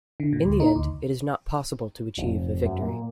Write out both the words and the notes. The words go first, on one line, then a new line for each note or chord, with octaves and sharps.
In the end, it is not possible to achieve a victory.
D3
A#2
D2
D#4
D2
F1
F#2
A#2